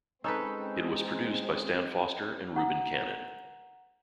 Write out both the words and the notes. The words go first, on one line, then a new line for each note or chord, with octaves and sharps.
It was produced by Stan Foster and Reuben Cannon.
G#3 C4 C#4 D#4 A4 B4 E6
F#5 A#5